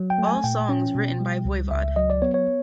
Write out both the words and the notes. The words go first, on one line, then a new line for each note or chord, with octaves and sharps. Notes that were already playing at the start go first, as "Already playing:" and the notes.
All songs written by Voivod.
Already playing: F#3
G5
A3
G#5
A#2 G5
C#4
B2
G3
C#2
C#2 E5
F#3 D#5
D5
B3 C#5
C#5